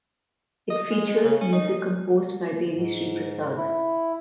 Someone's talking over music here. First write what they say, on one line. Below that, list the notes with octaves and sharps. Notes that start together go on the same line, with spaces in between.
It features music composed by Devi Sri Prasad.
D#5
G#3
G#3
C#3
C#4
D#4
G#2
E4